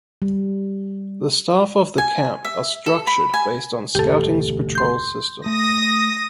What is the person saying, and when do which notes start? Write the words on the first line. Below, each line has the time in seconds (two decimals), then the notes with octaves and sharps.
The staff of the camp are structured based on Scouting's patrol system.
0.22 G3
1.98 G#5
2.45 E5
2.86 A4
3.07 B5
3.34 G#5
3.95 E1 D2 G#2 G4 A4
4.75 C6 G6
5.46 A3 D#6 A#6